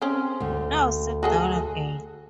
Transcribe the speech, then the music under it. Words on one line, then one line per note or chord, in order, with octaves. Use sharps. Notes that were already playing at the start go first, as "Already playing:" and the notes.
Now sit down again.
C4 C#4
D2
F#4 G#4 A4